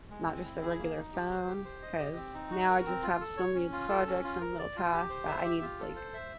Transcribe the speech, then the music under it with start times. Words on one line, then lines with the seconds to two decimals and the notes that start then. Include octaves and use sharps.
not just a regular phone, 'cause now I just have so many projects and little tasks that I need like"
0.10 G#3
0.26 C4
0.45 E4
0.62 G#4
0.79 A#3
0.96 D#4
1.14 G4
1.31 C5
1.47 G4
1.65 C5
1.83 D#5
1.99 G4
2.16 C4
2.34 D#4
2.51 F#4
2.69 A#4
2.86 C4
3.03 F4
3.21 A4
3.37 C#5
3.55 C#4
3.72 F4
3.89 A4
4.07 C#4
4.24 F4
4.41 A#4
4.59 D5
4.76 F4
4.93 G4
5.10 C5
5.27 E5
5.44 G4
5.62 F4
5.80 A4
5.96 C5
6.14 E5